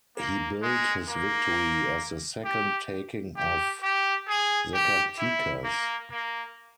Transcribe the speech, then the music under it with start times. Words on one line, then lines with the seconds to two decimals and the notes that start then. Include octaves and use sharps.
He billed his victory as the second taking of Zacatecas.
0.17 A#3
0.62 G#3
1.08 A#3
2.45 G4
3.37 G4
3.82 G4
4.28 G#4
4.74 G4
5.19 E4
5.64 A#3
6.11 A#3